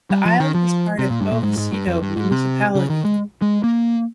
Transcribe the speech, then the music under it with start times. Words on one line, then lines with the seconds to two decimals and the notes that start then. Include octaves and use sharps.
The island is part of O Vicedo municipality.
0.10 G3
0.25 F3
0.40 D#3
0.55 F3
0.99 C3
1.10 A#2
1.21 G2
1.32 A#2
1.43 G#2
1.58 G#2
1.73 G2
1.87 F2
2.02 G2
2.16 G#2
2.31 C3
2.75 C#3
2.90 D#3
3.05 G#3
3.42 G#3
3.64 A#3